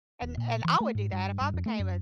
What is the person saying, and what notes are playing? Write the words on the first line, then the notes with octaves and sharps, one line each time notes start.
And and I would do that if I became a
D#1
A#2
E3
A3
G#2
G2
G2
F2
A3
F#2